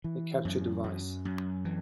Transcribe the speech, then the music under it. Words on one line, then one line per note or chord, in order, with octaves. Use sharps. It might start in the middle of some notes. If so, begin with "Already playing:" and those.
The capture device.
E3
F#2
F#2
F#2
E3